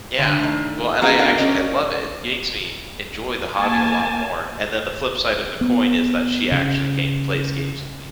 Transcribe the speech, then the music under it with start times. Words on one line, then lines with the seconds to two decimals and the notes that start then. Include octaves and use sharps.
Yeah. Well, and I actually I love it, gakes me enjoy the hobby a lot more. And then, the flip side of the coin is that she actually game plays games with me.
0.19 D3
0.39 D#3 A3
1.01 E3 A#3 C#4 F4 G#4 F#5
1.18 B3 D4 F#4 A#4 F5
1.38 C#4 A#4 D5 D#5
3.56 A#3 G#5 A5
5.61 B3
6.52 C#3